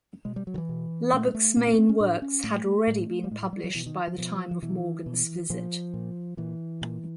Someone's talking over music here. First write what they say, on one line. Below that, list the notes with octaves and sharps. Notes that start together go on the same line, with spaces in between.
Lubbock's main works had already been published by the time of Morgan's visit.
B2 G#3
G3
F#3
D#3
E3
B2
A#2 A3
G#3
A3
A#2 B3
C4
B3
C4
C#4
A2 D4
C#4
A2 A3
A2
G3
A2 G#3
F#3
G3
F#3
B2 E3
D#3
F3
B2 F3
F3
B2 E3
B2
A#2 F3
A#2
A#2 E3
A#2